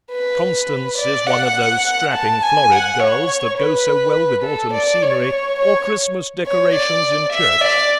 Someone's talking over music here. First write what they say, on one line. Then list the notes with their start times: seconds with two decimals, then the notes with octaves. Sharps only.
Constance is one of those strapping florid girls that go so well with autumn scenery or Christmas decorations in church.
0.11 B4
0.98 D5
1.27 F#5
2.14 A5
2.42 G#5
2.71 F#5
3.00 C#5
3.58 B4
4.44 A4
4.74 D5
5.02 C#5
5.59 C#5
6.46 C#5
6.75 D5
7.33 E5
7.61 D5